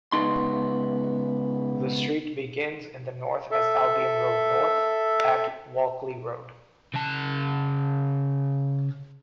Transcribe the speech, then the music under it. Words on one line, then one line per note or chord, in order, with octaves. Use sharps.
The street begins in the north as Albion Road North, at Walkley Road.
C#2 B3 D#4 C6
A4 E5
C#3 A5